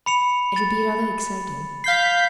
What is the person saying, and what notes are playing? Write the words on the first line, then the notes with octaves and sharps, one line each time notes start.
"It would be rather exciting."
B5 C#7 F7
A6
F5 G6 B6 C7